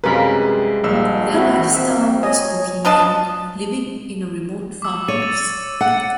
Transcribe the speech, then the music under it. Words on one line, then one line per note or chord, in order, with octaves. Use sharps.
Their lifestyle was bohemian, living in a remote farmhouse.
F#2 C3 G3 G#3 F4 A#4 B4 B5
A#1 D#3 G3 D4 F5 E6
C4 E4 F#4
E3
C4 E5
C#5 D#5 G#5
F3 D4 D#5 A5
D6 E6
C#5 A6 D#7
A6
F#5